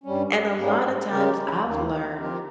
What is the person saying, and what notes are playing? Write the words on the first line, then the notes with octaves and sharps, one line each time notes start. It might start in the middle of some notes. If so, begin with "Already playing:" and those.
and a lotta times I've learned
G2 G3 C#4
G#2 G3 A#3 C#4
C#3 G#3 C#4 G4 A#4
D#2 D#3 A#3
F3 C4 G4 A#4